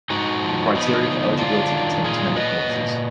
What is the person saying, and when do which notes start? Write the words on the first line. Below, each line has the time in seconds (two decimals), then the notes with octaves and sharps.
The criteria for eligibility contains many clauses.
0.10 G#2 D#4 F#4
0.42 F3
0.75 F3 B3 D#4
1.07 D3
1.39 F#3 D4 F4
1.72 D#3
2.04 A#2 F4 G#4
2.36 F#3 B4 D#5
2.68 A#2